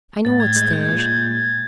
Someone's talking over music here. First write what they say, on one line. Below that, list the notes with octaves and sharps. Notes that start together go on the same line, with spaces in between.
I know what's there.
A2 A6
G#6
G#3 G6
G#6
A#2 G6